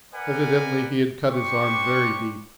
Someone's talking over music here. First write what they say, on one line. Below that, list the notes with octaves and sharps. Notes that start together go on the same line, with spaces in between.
Evidently he had cut his arm very deep.
A#4 B4 D5 F#5 G#5
D4 G4 C5 C#6